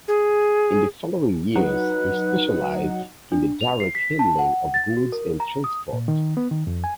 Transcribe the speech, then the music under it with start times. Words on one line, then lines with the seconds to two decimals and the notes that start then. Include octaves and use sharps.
In the following years he specialized in the direct handling of goods and transport.
0.08 G#4
1.56 F#3 D#4 B4 F#5
3.32 D4
3.61 F7
3.80 C7
3.95 B6
4.19 A5
4.39 F#5
4.74 A6
4.97 F#4
5.12 A#4
5.40 A#5
5.64 D#6
5.93 A#2
6.08 D#3
6.37 B3
6.51 D#3
6.67 F2
6.84 G#5